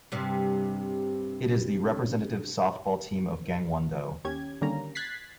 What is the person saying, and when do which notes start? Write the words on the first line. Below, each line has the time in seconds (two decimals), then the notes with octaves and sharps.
It is the representative softball team of Gangwon-do.
0.12 G2 C3
4.24 D#2 C#4 G4 G#6
4.61 D3 D#3 G3 A#3 C#4 A#5
4.95 F#6 G#6 A6 B6 C7